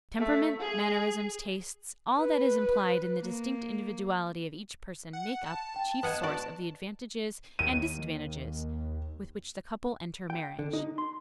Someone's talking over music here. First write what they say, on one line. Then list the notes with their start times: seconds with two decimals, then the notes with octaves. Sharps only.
Temperament, mannerisms, tastes--all that is implied in the distinct individuality of each person--make up the chief source of the advantages and disadvantages with which the couple enter marriage.
0.19 A3
0.60 G#4
2.18 B4
3.21 A#3
5.13 F#5
5.46 A5
5.76 G5
6.03 B3 B4 D#5 F#5 G#5
6.23 F#4 D5
7.59 D#2 D#7
10.30 G5
10.59 D3
10.73 D#4
10.98 C6